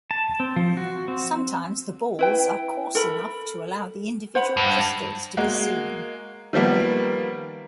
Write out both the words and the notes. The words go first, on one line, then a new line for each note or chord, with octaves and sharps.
Sometimes the balls are coarse enough to allow the individual crystals to be seen.
A5
C4
F3
F#4
C4
E4 B4 G5
A4 A#4 B5
C5 F#5 B5
G2
G#3 A#3 F#4
D#3 F3 G3 A#3 B3